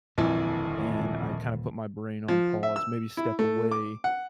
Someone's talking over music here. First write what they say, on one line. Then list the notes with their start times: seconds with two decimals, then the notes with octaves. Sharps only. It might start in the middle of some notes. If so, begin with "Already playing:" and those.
and I kinda put my brain on pause, maybe step away,
0.18 D#1 A#1 F2 A#2 D3 E3
2.28 F3
2.63 E5
2.76 E6
3.17 E4
3.39 A3
3.71 D6
4.04 F#5